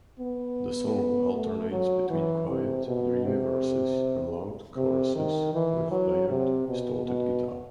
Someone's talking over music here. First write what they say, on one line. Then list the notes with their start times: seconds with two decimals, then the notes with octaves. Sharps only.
The song alternates between quiet, dreamy verses and loud choruses with layered, distorted guitar.
0.20 B3
1.34 A3
1.71 F#3
2.10 E3
2.48 C3
2.87 B2
3.25 C3
4.76 C3
5.16 D#3
5.54 E3
5.91 F#3
6.29 C3
6.68 B2
7.06 B2